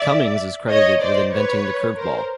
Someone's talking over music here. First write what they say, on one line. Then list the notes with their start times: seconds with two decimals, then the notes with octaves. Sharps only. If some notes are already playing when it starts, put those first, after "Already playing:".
Cummings is credited with inventing the curveball.
Already playing: D5 E5
0.69 C#5 D#5
1.01 C5 D5
1.33 B4 C#5
1.97 A#4 C5